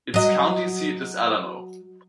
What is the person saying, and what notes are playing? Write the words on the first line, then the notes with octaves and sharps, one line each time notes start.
Its county seat is Alamo.
F#3 D#5